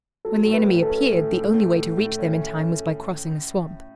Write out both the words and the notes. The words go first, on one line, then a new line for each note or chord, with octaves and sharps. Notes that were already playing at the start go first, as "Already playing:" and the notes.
When the enemy appeared the only way to reach them in time was by crossing a swamp.
F#3 A4
A2
B4
C#4
A4
C#4
A2
A2
A2
A2
A2
C#4